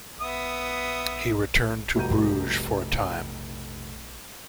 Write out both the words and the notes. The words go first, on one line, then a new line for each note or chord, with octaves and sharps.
He returned to Bruges for a time.
B3 E5 D#6
F1 G3 F#4 A#5 G6 D#7